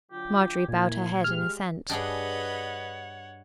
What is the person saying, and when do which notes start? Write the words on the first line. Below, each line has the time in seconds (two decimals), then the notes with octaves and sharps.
Marjorie bowed her head in assent.
0.12 D3 F#3 F4 G4
0.69 A#2 A#3 E4 G#5
1.24 G#3 G4 F6
1.90 G2 D4 G#4 B4 C#5 D#5 F#5